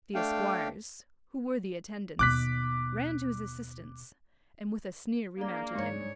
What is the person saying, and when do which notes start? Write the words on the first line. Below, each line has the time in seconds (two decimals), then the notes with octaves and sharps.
The Esquires, who were the Attendants, ran to his Assistance, and with a Sneer remounted him.
0.14 A3 D4 F5 G5
2.19 D#2 B2 D6 F#6 B6
5.38 A#3 D4 G#4 D5
5.75 G#2 C#5